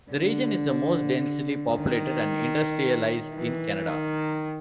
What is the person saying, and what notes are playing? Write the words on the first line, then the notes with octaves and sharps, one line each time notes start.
The region is the most densely populated and industrialized in Canada.
D3
D#3
E3
D#3